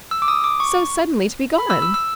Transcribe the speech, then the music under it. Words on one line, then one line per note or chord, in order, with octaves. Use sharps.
So suddenly to be gone!
E6
D6
D#6
D6
C#6
B5
E6
E6
E6